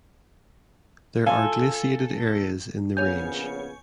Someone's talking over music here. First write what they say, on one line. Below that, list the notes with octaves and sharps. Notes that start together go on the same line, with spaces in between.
There are glaciated areas in the range.
F4 A4 F5 G#5
A#1 C#3 B3 C#5 G#5 G6